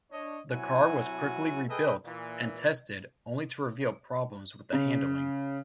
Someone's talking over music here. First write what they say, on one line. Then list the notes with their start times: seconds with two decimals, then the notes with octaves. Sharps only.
The car was quickly rebuilt and tested, only to reveal problems with the handling.
0.11 D4 C#5 D#5
0.51 C3 F#3 E4 F#4 G#5
1.69 G#4 A4 B4 D#5 E5 G5
2.06 A#2 E3
4.73 C#3